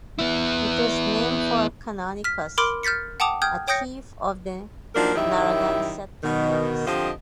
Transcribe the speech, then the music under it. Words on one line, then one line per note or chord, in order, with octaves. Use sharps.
It was named for Canonicus, a chief of the Narragansett Indians.
B3 E4
F6 B6
A#4 B5 C6 D6 F6 D7
F6 G6 A6 B6 C#7
F#5 G5 A5 D6 D#6 F7
G5 D#6 F6 G6 G#6
C#5 G5 D#6 G6 A#6 C#7
F3 F#3 A#3 D4 D#4 A#4
F#2 D#3 E4 G4 C#5 E5
B2 D#3
D3 F3 C4 G4 D#5